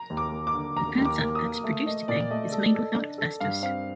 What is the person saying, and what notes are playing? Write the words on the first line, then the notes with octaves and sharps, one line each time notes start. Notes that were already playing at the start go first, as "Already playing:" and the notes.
The transite that is produced today is made without asbestos.
Already playing: A#5
D#2
D6
A#3
D6
D3
D#2 A#5
D#2
D6
A#3
D#6
A#3
A3
A3 D#5
A#2 D5
A3 D#5
A4
A4
D4
A4
G2 F5
C4 F5